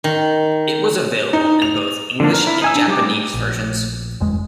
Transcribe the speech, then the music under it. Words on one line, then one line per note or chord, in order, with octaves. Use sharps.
It was available in both English and Japanese versions.
D#3
D#4
F7
D3 F3 A#3 D4
A#4
E4
D#4 G#5 E6
D4
G3 D#4 G4 D6
A#1
F#1 E2 G#3